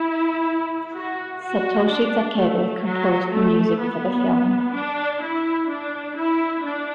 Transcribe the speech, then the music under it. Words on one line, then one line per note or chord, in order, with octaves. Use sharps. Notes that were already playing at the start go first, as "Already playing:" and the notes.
Satoshi Takebe composed the music for the film.
Already playing: E4
F#4
F#4
D4
A3
F#3
A3
B3
D4
E4
D4
E4
D4